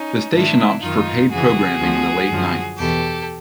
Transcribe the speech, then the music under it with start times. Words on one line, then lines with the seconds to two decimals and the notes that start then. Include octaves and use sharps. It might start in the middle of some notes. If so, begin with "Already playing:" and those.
The station opts for paid programming in the late nights.
Already playing: C#4 D#4
0.33 G#2 D#3 D4 E4
0.82 F#2 D#3 D#4 F4
1.31 F2 C#3 E3 F#4 G#4
1.80 D2 D3 F3
2.29 F#2 D3 F3
2.78 E2 B2 G4 A4